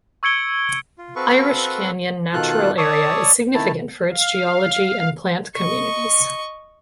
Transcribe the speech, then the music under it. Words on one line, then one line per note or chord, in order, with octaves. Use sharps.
Irish Canyon Natural Area is significant for its geology and plant communities.
C#6 E6 G#6 C#7 D7 G7
F4
C4 F#4 A4 B4 F5 C#6
B2 D#3 F4 A4 F#6
C#5 D5 A5 C#6 D#6 E6
D#3 A3 E4 A5
F5
D#5 C#6